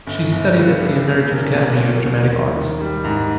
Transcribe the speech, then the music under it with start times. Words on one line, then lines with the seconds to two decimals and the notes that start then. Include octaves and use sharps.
She studied at the American Academy of Dramatic Arts.
0.07 G1
0.32 G1
0.56 G2
0.81 D3
1.06 A#3
1.31 B1
1.55 A#2
1.81 F#3
2.05 D#2
2.31 D#2
2.55 D#3
2.81 G3
3.04 G#2